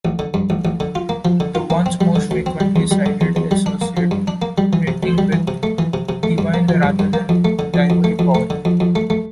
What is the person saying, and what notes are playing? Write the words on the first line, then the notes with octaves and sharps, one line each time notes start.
The ones most frequently cited associate printing with divine rather than diabolic power.
A1
D3
G2
A1
A1
D3
F4
A#3
F3
D3
F4
A#3
C4
G3
D3
D2
C4
G3
E2
G3
D3
E2
E2
G3
D4
A#3
F3
G2
D4
A#3
G3
E3
C3
D2
G3
E3
C3
A3
E3
C3
C3
A3
G2
A#3
F3
G2
G2
A#3
F2
A3
D3
F2
F2
A3
F2
A3
D3
F2
F2
A3
A3